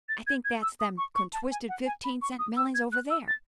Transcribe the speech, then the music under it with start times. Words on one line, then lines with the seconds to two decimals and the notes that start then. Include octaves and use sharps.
"I think that's them contwisted fifteen-cent mellings--over there!"
0.09 A6
0.27 G#6
0.45 G#6
0.62 E6
0.80 D#6
0.98 C#6
1.15 C#6
1.33 A5
1.51 G#5
1.69 F#5
1.86 G#5
2.04 B5
2.22 C#6
2.39 D#6
2.57 E6
2.75 G#6
2.92 F#6
3.10 E6
3.28 A6